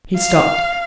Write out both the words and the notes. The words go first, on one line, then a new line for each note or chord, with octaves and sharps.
He stopped.
F5